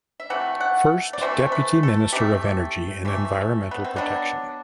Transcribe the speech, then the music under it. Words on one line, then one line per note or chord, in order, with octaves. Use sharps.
First Deputy Minister of Energy and Environmental Protection.
E5
C3 E3 A3 F#5
F#5
D5
C3 E3 A3 C5
B4
A4
C3 E3 A3 G4
C3 E3 A3
B3
C4
B2 F#3 B3 D4